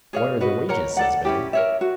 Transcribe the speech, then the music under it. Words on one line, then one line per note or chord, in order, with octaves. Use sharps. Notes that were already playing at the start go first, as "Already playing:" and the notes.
"What are the wages?" says Billy.
G#4 C#5 F5
F#4 B4 D#5
A#4 C#5 F#5 A#5
A4 D5 F#5
C#4 E4 G4
A#4 C#5 E5
F#4